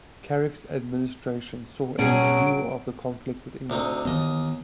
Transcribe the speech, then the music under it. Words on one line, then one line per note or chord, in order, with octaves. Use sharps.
Carrick's administration saw a renewal of the conflict with England.
B2 F#3 G3 C#4 G#4 D7
D2 C3 D#4
D#2 D#3 E3 B3 D#5